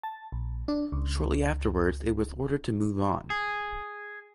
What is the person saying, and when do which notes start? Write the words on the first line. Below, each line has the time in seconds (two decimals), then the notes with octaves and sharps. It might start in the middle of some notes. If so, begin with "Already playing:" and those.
Shortly afterwards it was ordered to move on.
0.03 A5
0.32 A#1
0.68 D4
0.92 C#2
3.30 G#4